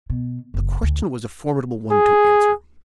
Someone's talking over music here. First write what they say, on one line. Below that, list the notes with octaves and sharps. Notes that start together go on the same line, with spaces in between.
The question was a formidable one to answer.
B2
F#1
D2
G#4